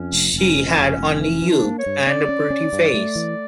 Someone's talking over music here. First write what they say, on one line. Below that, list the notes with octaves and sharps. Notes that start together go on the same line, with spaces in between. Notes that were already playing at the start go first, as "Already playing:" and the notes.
She had only youth and a pretty face.
Already playing: F2 C#4
F1
F1 C#4
F2
F1 C#4
F1
E3 C#4
E3
D4
A#3
C#5
G2
C#4 D5
C#4
C#4
G2
A3
E3